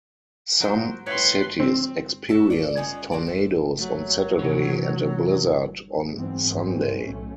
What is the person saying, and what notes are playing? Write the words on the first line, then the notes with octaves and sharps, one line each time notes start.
Some cities experienced tornadoes on Saturday and a blizzard on Sunday.
F#3 A#4 C5
A2 B4 C#5 C6
C4
F#4 A4 E5 A5
D4 A4
B3 C#4 D#4 F4
A2 F4 F#4 D5
A4
F#3 A3
C3 E3 C#5
G#2 E3 F#3 B3 C4
G#1 G2 C4 C#4
B1 A2 A3 C#4